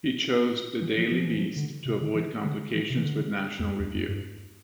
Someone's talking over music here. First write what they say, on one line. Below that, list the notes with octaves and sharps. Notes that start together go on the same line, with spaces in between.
He chose "The Daily Beast" to avoid complications with "National Review".
E3
F3
F3
E3
F3
D3
C3
D3
E3
D3
E3
C3
E3
D3
E2
F2
E2
F2
G2